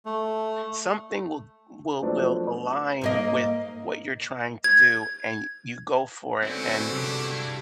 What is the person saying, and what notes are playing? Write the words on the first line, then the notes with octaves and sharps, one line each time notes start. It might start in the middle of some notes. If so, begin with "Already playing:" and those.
Something will will will align with what you're trying to do, and y you go for it and,
A3
F3 F#3 A3 B3 C4 D4
G#2 A#3 D#5
G#6
G#2 B2 D3 C4 C#4 E4
C3 G3 D4 G4